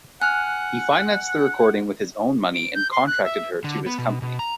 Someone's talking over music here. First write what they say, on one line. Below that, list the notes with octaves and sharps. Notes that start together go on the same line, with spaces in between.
He financed the recording with his own money and contracted her to his company.
F#5 G#5 F6 F#6
D7
G6
C6
F#6
E5
D3
B3
B2
B2
A#5